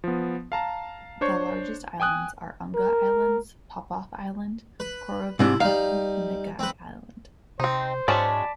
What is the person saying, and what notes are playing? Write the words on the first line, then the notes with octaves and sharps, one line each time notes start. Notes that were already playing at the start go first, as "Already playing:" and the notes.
The largest islands are Unga Island, Popof Island, Korovin Island, and Nagai Island.
F3 B3
F5 A5 A#5
D4 C5 C#5 C#6
G5 G#5 D#6 F#6
A#4
B4
G#2 C3 D4 E4
G3 D#4 F5
C4 B4
C3 C4 D#4 C5
G#2 F#3 G#3 C#4 D5 A5 B5